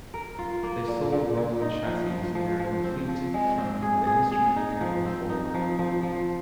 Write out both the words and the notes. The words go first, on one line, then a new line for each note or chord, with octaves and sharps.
They sold rolling chassis, near-complete from the instrument panel forward.
A#4
F4
A#3
A#2
A#2
A#2
D#4
F3
F3
F3
F3
C4
F3
G#3
C4
G#4
G#4
G#4
D#4
F3
C4
D#4
F3
F3
F3